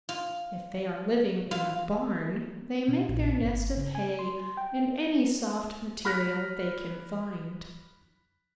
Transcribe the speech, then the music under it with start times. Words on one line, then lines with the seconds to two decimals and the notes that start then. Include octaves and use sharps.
If they are living in a barn, they make their nest of hay and any soft material they can find.
0.09 F4
1.51 F4
2.88 B2
3.09 A#1
3.41 G1
3.77 C#3
3.95 G#5
4.19 C6
4.57 G5
6.05 B5 F6 F#6 A#6 B6